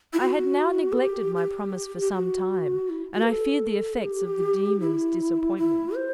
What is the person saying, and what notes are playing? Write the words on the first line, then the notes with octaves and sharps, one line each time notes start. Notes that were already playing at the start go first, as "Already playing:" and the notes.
I had now neglected my promise for some time, and I feared the effects of the daemon's disappointment.
E4
F#4
A4
G4
G4
G4
F#4
E4
F#4
B4
A4
G4
E4
E4
C5